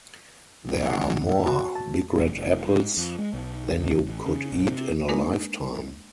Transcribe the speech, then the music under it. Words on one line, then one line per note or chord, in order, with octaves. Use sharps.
There are more big red apples than you could eat in a lifetime.
F#5
E5
F#4
A5
E1
F1
G#2
F2
G#3
B1
C#2
A1
C#3
A#1
C3
G#3 A#3 D4 D#4 A#4 B4